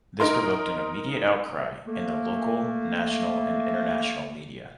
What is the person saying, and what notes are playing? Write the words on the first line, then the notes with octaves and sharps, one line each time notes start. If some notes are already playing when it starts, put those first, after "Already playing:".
This provoked an immediate outcry in the local, national and international media.
D#4 A#4 C6
A3 A#3